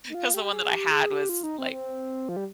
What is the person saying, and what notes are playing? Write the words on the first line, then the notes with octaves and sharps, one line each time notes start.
'cause the one that I had was, like,
D#4
F4
G4
G#4
G4
G#4
G4
F4
D#4
C4
C4
F3
G3